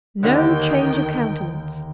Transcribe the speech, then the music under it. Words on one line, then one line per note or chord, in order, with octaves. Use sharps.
No change of countenance.
D#2 D3 D#3 G5